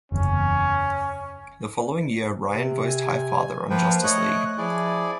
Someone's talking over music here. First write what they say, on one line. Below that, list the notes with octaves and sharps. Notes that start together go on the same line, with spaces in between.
The following year, Ryan voiced Highfather on "Justice League".
F#1 E2 C#4
C3
G#5
F3 A#3 B4 G5
A3 C#5 D#5 F#6
F3 E4 G#4 D5